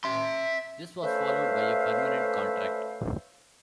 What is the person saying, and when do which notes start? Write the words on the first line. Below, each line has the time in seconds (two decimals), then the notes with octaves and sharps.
This was followed by a permanent contract.
0.04 E5 C6
1.03 A3 C#4 B4 C5 E5 F5